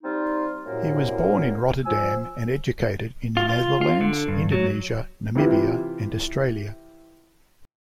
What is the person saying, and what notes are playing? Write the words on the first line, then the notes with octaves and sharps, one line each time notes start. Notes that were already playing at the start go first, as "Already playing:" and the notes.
He was born in Rotterdam, and educated in the Netherlands, Indonesia, Namibia and Australia.
G3 C4 D#4 F4
C2 F#2 A2 A#3
F3 G#5 E6
F4
F4
F4
D3
G2
F#3
C3 E3 E4 F4 G4 B4